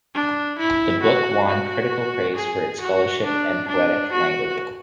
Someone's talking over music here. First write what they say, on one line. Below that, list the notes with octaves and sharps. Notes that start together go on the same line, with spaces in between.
The book won critical praise for its scholarship and poetic language.
D4
E4
F#4
F#4
G#4
F#4
D4
D4
F#4